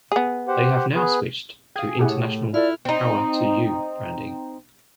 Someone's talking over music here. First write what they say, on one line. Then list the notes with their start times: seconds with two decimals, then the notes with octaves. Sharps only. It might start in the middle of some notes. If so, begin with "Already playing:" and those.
They have now switched to international 'Power to you' branding.
0.12 B3 G#4
0.48 G4 C5 F#5
0.95 B3 G#4 B4
1.76 G#4 F5 G5
1.99 A2 G4 G#4 F#5
2.54 E4 F4 A4 D5 F6
2.85 C4 D#4